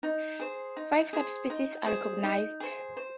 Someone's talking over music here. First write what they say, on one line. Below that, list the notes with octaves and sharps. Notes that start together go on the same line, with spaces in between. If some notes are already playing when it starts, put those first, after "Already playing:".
Five subspecies are recognized.
D#4
G#4 C5
D#4
G#4 C5
D#4
G#4 C5
D#4
G#4 C5
C5